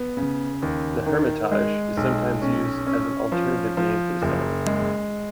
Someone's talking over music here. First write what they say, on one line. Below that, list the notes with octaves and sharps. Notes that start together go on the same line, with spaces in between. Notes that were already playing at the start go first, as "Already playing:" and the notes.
The Hermitage is sometimes used as an alternative name for the settlement.
Already playing: B3
C#3
D#2
D#3
G#3
B1
C#4
C#4
F3
F3
F#1
G#3